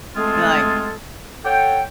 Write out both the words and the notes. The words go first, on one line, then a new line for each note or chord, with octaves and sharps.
and like
G#3 A3 C4 F4 G#4 A4
A4 C#5 F#5 G5